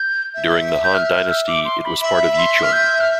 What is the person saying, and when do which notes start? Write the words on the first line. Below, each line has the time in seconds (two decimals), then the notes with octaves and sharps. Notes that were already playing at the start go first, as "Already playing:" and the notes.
During the Han dynasty, it was part of Yichun.
Already playing: G6
0.35 E5
0.84 G6
0.95 F6
1.29 E6
1.47 D6
1.65 C6
1.84 B5
2.01 E5 B5
2.38 C6
2.63 F6
2.73 G6
3.01 F6